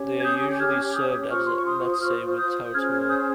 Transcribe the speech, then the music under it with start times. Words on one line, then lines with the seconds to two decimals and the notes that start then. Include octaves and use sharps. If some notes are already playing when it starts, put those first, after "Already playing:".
They are usually served as a "meze" with "tarator".
Already playing: C#4 G4 C#5
0.18 G#6
0.24 D#6 G6
0.59 F6 G#6
0.95 D#6 G6
1.31 F4 C5 C#6 F6
1.46 C6
1.57 C#6
1.66 C6 D#6
1.93 D#6
2.02 C#6 F6
2.38 D#6 G6
2.74 C#4 G#4 C5 F6 G#6
2.92 F6 G#6
3.09 D#6 G6